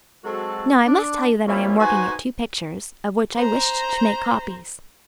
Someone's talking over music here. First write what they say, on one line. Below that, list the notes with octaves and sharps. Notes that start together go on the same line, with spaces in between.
Now I must tell you that I am working at two pictures of which I wished to make copies.
F#3 G#3 C4 F#4 A4
D4
G3 A#3 C4 C#4 E4 F4
D#4 F#4 B4 C5 G#5
C5 A#5